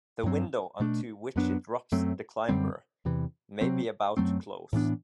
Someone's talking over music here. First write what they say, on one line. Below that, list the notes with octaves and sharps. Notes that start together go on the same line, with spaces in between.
The window onto which it drops the climber may be about to close.
G2 F#3 C4
B2 A3 D4
F#2 F#3 B3 D4
F#2 F#3 A3 C4
F#2 D3 G3 C4
E2 C3 E3
C3 F#3 C4
F#2 F#3 A3 C4
A2 E3 B3 D4